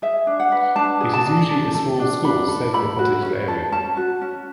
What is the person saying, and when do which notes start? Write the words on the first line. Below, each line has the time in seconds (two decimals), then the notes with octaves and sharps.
It is usually a small school serving a particular area.
0.02 G#4 E5
0.27 D4
0.40 F#5
0.52 B4
0.76 D4 A5
1.00 G#4
1.14 A5
1.26 D4
1.50 A4
1.75 A4
1.99 D4
2.24 D4 B5
2.48 A4
2.74 A4 B5
2.99 F#4
3.23 C#4
3.48 A4
3.72 C#4 A5
3.97 F#4
4.21 C#4